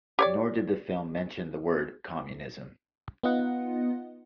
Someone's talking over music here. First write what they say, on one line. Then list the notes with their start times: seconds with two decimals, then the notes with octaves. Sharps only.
Nor did the film mention the word Communism.
0.19 G4 C#5 D5
3.23 B3 D#4 F4 D#5 F#5